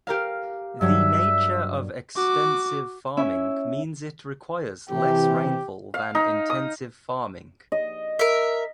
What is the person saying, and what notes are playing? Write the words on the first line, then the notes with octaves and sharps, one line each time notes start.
The nature of extensive farming means it requires less rainfall than intensive farming.
G4 A#4 F5
G2 F#3 G3 E5
F#4 D6
C#4 E4 E5
C3 E3 G4
F5
D#4
D#6
D#5
A#4 E5